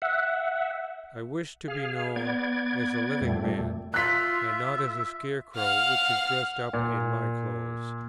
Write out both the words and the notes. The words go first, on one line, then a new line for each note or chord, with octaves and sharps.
I wish to be known as a living man, and not as a scarecrow which is dressed up in my clothes.
E5 F#5
G#4 F5
B3 D5 G#6
F2 A#2 G3 A3
F4 E5 F#6 B6
F5 F#5 F6
A#2